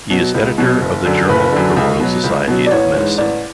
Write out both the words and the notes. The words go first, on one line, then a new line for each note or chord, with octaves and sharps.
He is editor of the "Journal of the Royal Society of Medicine".
B2 F#3
C#2
B2 F#3
F#1
F#2 D3
F#1 B4
F#2 D3
C#2
B2 F#3
C#2
B2 F#3
D5
A1 C#5
G#2 E3
A1 D5